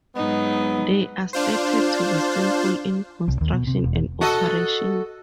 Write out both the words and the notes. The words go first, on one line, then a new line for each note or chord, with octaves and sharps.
They are stated to be simple in construction and operation.
G#2 F#3 B3 D#4
D4 F4 C5
C2
D#2
B2
C3
E1
F#4 A4 D#5